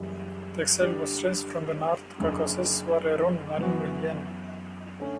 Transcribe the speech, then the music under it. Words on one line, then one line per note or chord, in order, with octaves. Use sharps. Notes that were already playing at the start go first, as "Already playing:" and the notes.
The exiled Muslims from the North Caucasus were around one million.
Already playing: F#1 F#2 E3 G3
D3 G3 D4 G4 D5
F#1 F#2 D3
F#2 E3 B3 F#4
D3 A3 C#4